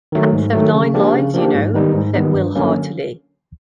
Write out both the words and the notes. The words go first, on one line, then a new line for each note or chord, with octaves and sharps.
"Cats have nine lives, you know," said Will heartily.
D#3 F#3 A3
G#2
D#3 F#3 A3
C#3
F3 A#3 D4 G4
C#3
F3 A#3 D4 G4
G#2
D#3 G3 B3 D#4
G#2
D#3 G3 B3 D#4
G2
D3 F#3 A#3 C#4